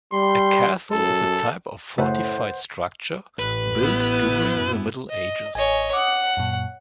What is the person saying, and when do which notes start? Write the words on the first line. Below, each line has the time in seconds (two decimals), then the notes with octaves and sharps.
A castle is a type of fortified structure built during the Middle Ages.
0.12 G3 C6
0.91 F#2 A4
1.98 F#2 A2 C#3 A3 B4 C5 D#5 F#5
3.39 A1 B4
3.81 B3 E4
4.54 F#2
5.10 D#5
5.55 A1 C#5 D#5 G#5
5.93 F#5 D6 D#6
6.37 F#2 A#2